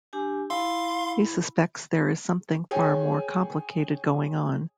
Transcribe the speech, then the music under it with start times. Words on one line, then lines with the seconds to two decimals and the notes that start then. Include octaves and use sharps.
He suspects there is something far more complicated going on.
0.13 D4 G4 G#5
0.50 E4 F5 B5 C6
2.71 G#4 C#5 G5 G#5